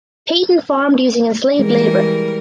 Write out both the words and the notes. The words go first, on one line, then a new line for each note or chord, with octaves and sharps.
Peyton farmed using enslaved labor.
E3 G3 G#3 A#4